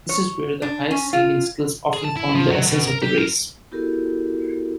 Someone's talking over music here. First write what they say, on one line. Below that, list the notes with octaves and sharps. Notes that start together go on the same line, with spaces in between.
This is where the highest sailing skills often form the essence of the race.
C#5
D4
C#4
F4
G#4
A5
E4
F3
F#3
B2
A#4
G4
A#4
B3 E4 F#4 G4 A4 A#4